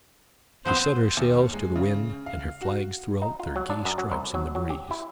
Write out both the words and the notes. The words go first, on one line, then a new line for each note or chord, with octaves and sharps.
She set her sails to the wind, and her flags threw out their gay stripes in the breeze.
F3 B3 C4 C5
D#2
G#3
C#3
F5
F#4
D#4
F4
F#3
D4
F#2
F#3
C2
F#3
F#3
G4
E4